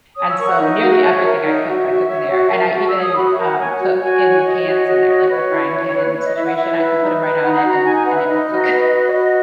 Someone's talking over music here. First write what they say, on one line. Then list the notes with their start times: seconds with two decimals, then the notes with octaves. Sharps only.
and so nearly everything I cook, I cook in there, and I even, um, cook in the pans in there, like, the frying pan situation. I can put 'em right on it and and it will cook
0.17 C#5 D#6
0.28 E6
0.39 A#4 C#6
0.49 F#5
0.59 D#4 E5
0.81 F#4
1.03 C#5
1.23 A#4
1.45 D#4 E5
1.67 F#4
1.88 F#4
2.09 C#5
2.31 F#4
2.51 A#4
2.73 F#4
2.87 E6
2.94 C#5
3.02 D#6
3.16 F#4 B5
3.31 E5
3.37 A#4
3.44 F#5
3.58 C#5 G#5
3.72 F#5
3.79 F#4
4.01 F#4 G#5
4.22 C#5
4.44 C#5 D#5
4.65 F#4
4.86 F#4
5.08 C#5
5.28 B4 C#5
5.50 E4
5.72 E4
5.93 B4
6.15 B4 C#5
6.25 D#5
6.36 E4 E5
6.46 F#5
6.57 E4 E5
6.78 B4
7.00 D#4
7.20 B4
7.42 D#4 F#5
7.56 F#5
7.64 F#4
7.70 A#5
7.84 D#4 G#5
7.95 G#5
8.06 B4 F#5
8.16 E5
8.27 D#4 D#5
8.49 F#4
8.70 B4
8.91 F#4
9.06 C#5
9.12 F#4 D#5